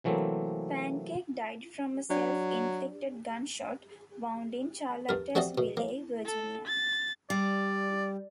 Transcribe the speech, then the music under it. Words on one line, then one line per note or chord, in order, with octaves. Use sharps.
Pancake died from a self-inflicted gunshot wound in Charlottesville, Virginia.
C3 E3 F#3 A3 A#3 C4
F#3 D4 D5
G2 A#4
A3 C4 F#4 G4 D5 D#5
B2
A#3
A4
A6
G3 D5